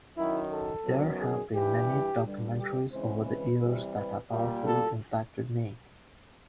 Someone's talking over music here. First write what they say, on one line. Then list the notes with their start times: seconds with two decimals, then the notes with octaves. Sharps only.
There've been many documentaries over the years that have powerfully impacted me.
0.16 F#2 D#3 F#3 E4
0.51 A4
0.85 F#2 D#3 F#3 B3
1.20 G#4
1.54 G2 E3 G3 G4
2.23 G2 D3 G3
2.58 G4
2.92 C#3 E3 G#3 C4 C5
3.27 B4
3.61 C3 E3 G3
3.95 B4
4.30 A#2 G3 A#3
4.65 A4